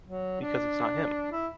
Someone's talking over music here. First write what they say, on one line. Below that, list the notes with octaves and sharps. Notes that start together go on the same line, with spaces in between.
Because it's not him.
F#3
D4
E4